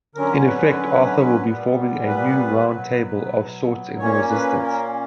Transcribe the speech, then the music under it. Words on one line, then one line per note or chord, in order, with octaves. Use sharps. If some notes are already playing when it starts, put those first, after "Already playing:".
In effect, "Arthur" will be forming a new "roundtable" of sorts in the resistance.
D3 F#3 C#4 A#4
B4
A#2 G3 B3
B4
B2 F#3 B3
A#2 A#3 C#4 C#5
B4
A#4